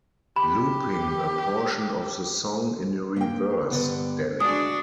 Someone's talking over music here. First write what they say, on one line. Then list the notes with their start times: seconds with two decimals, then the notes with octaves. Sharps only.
Looping a portion of the song in reverse, Danny!
0.36 G4 B5
3.16 A#3 G5
3.71 G2 D3 B3
4.40 G#3 D4 F#4 D#6